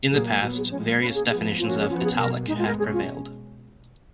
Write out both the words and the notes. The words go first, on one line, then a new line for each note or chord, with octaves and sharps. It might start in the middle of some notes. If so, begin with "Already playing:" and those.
In the past, various definitions of "Italic" have prevailed.
A#2 F#3 A#3 G#4
A#2 F#3 B3 F#4
G#4
F3 G#3 B3 C#4 C#5
A#4
B2 A#3 C#4 B4
G#4
F3 G#3 B3 G#4
F3 A#3 C#4 F4
F#4
G#4
F3 B3 F4
F#4
G#4
B2 F#3 A#3 A#4
A#2 G#3 B3 D#4
F4
A#4
B2 G#3 C#4 G#4
F4